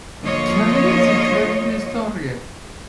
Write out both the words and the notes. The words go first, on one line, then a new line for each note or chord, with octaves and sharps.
Kelly is a trained historian.
D3 F3 A#3 F4 C#5 D#5